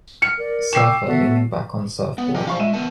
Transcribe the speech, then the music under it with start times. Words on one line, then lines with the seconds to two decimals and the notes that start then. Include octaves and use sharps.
Surfer leaning back on surfboard.
0.22 F6 C#7
0.38 A#4 D5
0.73 G5 C#6 D6 E6 C7 E7
1.07 B3 F#4 A4 E5
2.18 B3 F#5
2.34 A#1 C4 G4
2.47 A#1 C5 E5 F5 C#6
2.59 G#3 E5 D#7 E7
2.74 B3 A#4 A5